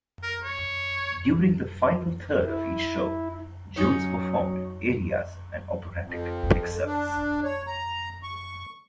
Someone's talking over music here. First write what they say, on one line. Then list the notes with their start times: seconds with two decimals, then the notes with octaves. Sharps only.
During the final third of each show, Jones performed arias and operatic excerpts.
0.23 A#4
0.44 C#5
2.44 E4
3.76 F#3 C#4 D#4 C#5
6.04 F2
6.86 D4
7.44 C#5
7.67 A#5
8.23 C#6